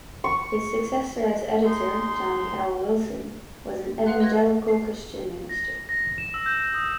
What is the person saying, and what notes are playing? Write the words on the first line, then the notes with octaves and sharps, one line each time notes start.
His successor as editor, Johnny L. Wilson, was an evangelical Christian minister.
C#6
G#3 D#4 C6
G#4 B4 F5 F#5 C6 F#6
D#5 C6 F#6 G#6 A#6
C7
A#6
A#6
E7
E6
G6
D#6